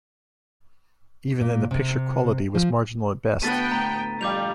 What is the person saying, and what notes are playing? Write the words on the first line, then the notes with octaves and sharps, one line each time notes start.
Even then, the picture quality was marginal at best.
A#2
C3
F3
D2 B3 G5 A5 C#6 A6 B6 D#7
A2 A#5
F2 G3 F5 D6 G6 F7